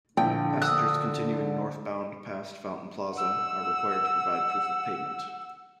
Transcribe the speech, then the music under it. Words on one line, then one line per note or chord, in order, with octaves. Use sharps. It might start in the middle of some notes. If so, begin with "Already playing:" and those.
Passengers continuing northbound past Fountain Plaza are required to provide proof-of-payment.
A#1 D3 E4 G5
D#6 E6 F#6
F#5 E6